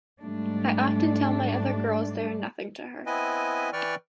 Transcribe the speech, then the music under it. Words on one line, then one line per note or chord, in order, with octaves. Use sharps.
I often tell my other girls they are nothing to her.
G#2 G3 A3 D4
B3 C4 E4 B4 D#5 G#5
E3 B4 D5 G5 C#6 F6